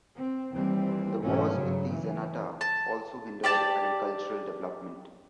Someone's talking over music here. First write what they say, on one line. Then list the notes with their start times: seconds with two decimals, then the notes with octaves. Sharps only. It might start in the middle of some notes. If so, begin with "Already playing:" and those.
The wars with the Zenata also hindered agricultural development.
0.18 C4
0.51 D#2 E3 G3 C4
1.22 B1 G#2 E3 A3 C#4
1.52 G2 C#3 F#3
1.90 E3
2.61 A5
3.44 G4 D5 A5